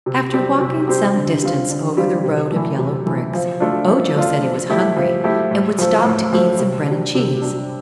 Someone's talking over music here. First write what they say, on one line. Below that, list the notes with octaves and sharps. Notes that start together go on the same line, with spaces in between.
After walking some distance over the road of yellow bricks Ojo said he was hungry and would stop to eat some bread and cheese.
C3
G3 C4 G4
C3
G3 C4 G4
D3
G3 C4 F4
D3
G3 C4 F4
C3
E3 A3
C3
E3 A3
F3
A3 D4 F4
F3
A3 D4 F4
F3
A3 E4 G4
F3
A3 E4 G4
A2
F3 A3
A2
F3 A3
C3
G3 D4
C3
G3 D4